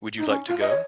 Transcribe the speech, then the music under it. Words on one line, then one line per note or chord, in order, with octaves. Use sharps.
Would you like to go?
D#4
C#4
F4
D#5
C#5